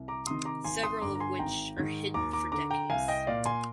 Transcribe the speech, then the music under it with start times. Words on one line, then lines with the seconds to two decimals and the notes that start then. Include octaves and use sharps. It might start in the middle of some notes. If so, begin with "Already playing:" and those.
Several of which are hidden for decades.
Already playing: C2
0.08 A#5 D6
0.27 C3 D#3 C6 D#6
0.45 A#5 D6
0.64 G#1 G#5 C6
0.83 C6 D#6
1.01 G2 D3 A#5 D6
1.15 A#5
1.20 G#5 C6
1.39 G#1 G5 A#5
1.77 G#2 D#3
2.14 D#2 A#5 D6
2.33 A#5 D6
2.52 D3 A#5 D6
2.70 G5 A#5
2.90 C2 F5 G#5
3.08 D#5 G5
3.27 A#2 D5 F5
3.46 G#5 C6